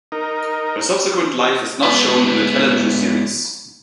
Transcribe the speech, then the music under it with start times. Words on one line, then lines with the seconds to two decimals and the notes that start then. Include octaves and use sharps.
Her subsequent life is not shown in the television series.
0.12 D#4 A#4
1.83 G#2 B3